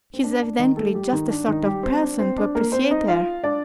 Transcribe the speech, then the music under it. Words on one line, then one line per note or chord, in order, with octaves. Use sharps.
She's evidently just the sort of person to appreciate her.
C4
D4
D4
D#3 D#4
A3 A4
G3 G4
D#3 D#4
D4
D#3 D#4
G3 G4
C4
D4
C4
D4
A#3 A#4
C4 C5
D#4 D#5
F4 F5
D4 D5